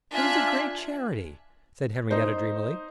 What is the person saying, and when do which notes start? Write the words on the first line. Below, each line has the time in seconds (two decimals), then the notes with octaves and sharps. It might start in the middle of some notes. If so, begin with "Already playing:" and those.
"It is a great charity," said Henrietta dreamily.
0.12 D4 F4 E5 G#5 F#6
2.11 D#4 C5